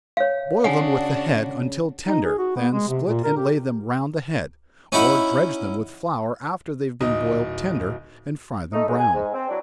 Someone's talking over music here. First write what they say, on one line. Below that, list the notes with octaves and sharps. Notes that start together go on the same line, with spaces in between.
Boil them with the head, until tender, then split and lay them round the head, or dredge them with flour after they have been boiled tender, and fry them brown.
C#5 F5
C#3 D4 F#4 F#5 G#5
D#4
G#4
F#4
B3
G#3
C3
A#2
A#4
G4
C#4 D#4 E4 F#4
D1 D#4 D#5
A3 D#4
G2 A#2 D#3 F#3 G#3
G#5
G#2
C4
F#3 D4 E4